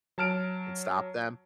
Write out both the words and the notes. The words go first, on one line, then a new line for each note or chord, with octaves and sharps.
and stop them
F#3 A5 F6 D7